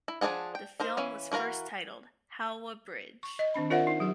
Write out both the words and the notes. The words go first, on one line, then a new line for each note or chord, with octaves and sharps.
The film was first titled "Howrah Bridge".
E4
F3 D4 D#4 G#4 F#5
G5
D#4 A#4 C5
E3 C#4 F5
E3 F#4 A#4 F5
C#6
D#5
D#3 C4 D4 B5
F4 A#4 C5 D5 E5 F#5
D#4
F#3 G4